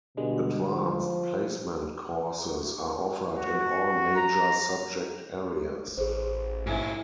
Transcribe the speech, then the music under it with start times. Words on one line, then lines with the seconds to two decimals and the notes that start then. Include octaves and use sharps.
Advanced placement courses are offered in all major subject areas.
0.17 B2 D3 G3 G#3
0.74 F3
3.36 F#4
4.15 A#5
5.97 A1 G#4 C5
6.67 G#2 E4